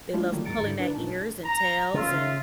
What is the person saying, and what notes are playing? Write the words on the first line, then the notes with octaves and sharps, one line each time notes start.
They love pulling their ears and tails and,
G#3 A3 D4 E4 F4
D3 D#3 F#3 G3 A3 A#3
C#2 G#2 A#5 A6 C#7 D7
D3 E4
D4 E4 B4
G#1 A#2 C#4 D#4 A5
A#5
C#3 F4 E5